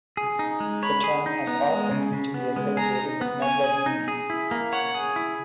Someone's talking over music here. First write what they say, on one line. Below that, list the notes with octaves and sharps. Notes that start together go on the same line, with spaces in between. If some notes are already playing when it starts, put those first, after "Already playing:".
The term has also come to be associated with megalomania.
G#4
D#4
G#3
C#5 B5
G#4
D#4
B3 A#5
G#3
C#3
C#3
B3
G#3
G#4 A#5
D#4
B3
C#5 G#5
G#4
D#4
G#4
E4
A#3
C#5 F#5
G#4
E4